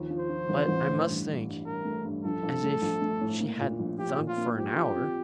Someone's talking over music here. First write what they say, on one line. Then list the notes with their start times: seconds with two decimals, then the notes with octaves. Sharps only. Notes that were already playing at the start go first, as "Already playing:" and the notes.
"But I must think--" As if she hadn't thunk for an hour!
Already playing: D#2 F3
0.10 F3
0.19 C5
0.29 F3
0.49 A1
0.68 A1
0.87 A2
1.07 G2
1.26 G2
1.46 G2
1.65 G2 A#4
1.85 A3
2.05 G2
2.24 A#1 A4
2.43 A#1
2.63 A3
2.82 A#1
3.01 A3
3.21 A2
3.40 A#3
3.60 A#2
3.79 A#1
3.98 F3 G4
4.18 A#2
4.28 F4
4.38 A#3
4.57 F3 G4
4.77 F3
4.96 C4